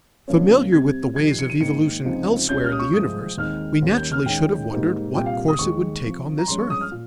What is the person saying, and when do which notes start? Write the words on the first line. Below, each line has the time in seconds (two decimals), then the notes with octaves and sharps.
Familiar with the ways of evolution elsewhere in the universe, we naturally should have wondered what course it would take on this earth.
0.28 C#2 C3 F3 A#3 C#4
0.72 C3 G3 C4 G#6
1.16 F2 C3 D#3 G3 G#6
1.28 C7
1.39 C#7
1.50 D#7
1.61 G#2 D#3 A#3 D#4 C#7
2.05 C#2 C3 F3 C4 D#4
2.49 C#2 C#3 G3 C#4 G6
2.64 F6
2.72 D#6
2.79 C#6
2.93 C2 C3 F3 G#3 D#6
3.37 D#2 D#3 G#3 C4 D#4 F6
3.82 D#2 D#3 G3 A#3 C#4
3.97 G6
4.12 F6
4.26 D#2 D#3 G#3 C#4 G5
4.71 G#2 G3 A#3 D#4
5.15 C2 A#2 G3 G5
5.26 F5
5.48 D#6
5.59 D#2 D#3 G#3 C#6
6.03 C3 F3 C4
6.38 A#5
6.47 G2 F3 G#3 C#4 C6
6.59 C#6
6.70 D#6
6.81 F6
6.92 A#2